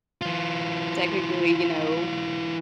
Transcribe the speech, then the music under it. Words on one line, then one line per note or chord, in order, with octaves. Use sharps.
technically, you know,
E3 F4